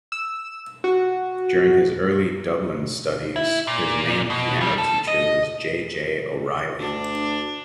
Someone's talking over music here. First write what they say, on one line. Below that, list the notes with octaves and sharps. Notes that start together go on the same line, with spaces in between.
During his early Dublin studies, his main piano teacher was J. J. O'Reilly.
E6
F#4
E4
A#2
B2
G#2 G3
A4
D#5
D2 D4